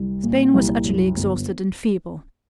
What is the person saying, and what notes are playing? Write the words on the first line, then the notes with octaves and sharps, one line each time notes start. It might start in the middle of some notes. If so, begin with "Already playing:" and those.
Spain was utterly exhausted and feeble.
Already playing: C2 G3
A#2
C2
F#2
G1